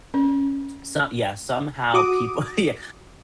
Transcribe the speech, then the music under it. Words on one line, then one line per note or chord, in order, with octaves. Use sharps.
So Yeah, somehow people yeah
C#4
F#4 D6 D#6